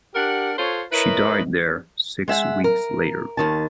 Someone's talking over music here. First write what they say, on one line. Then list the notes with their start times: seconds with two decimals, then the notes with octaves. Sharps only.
She died there six weeks later.
0.15 D4 G4 A#4 F#5
0.58 F4 A4 C5 C#5
0.92 E4 A#4 B4 C#5 D#5
2.28 G#3 E5 F#5
2.64 A#4
3.37 D#2 D#3 A5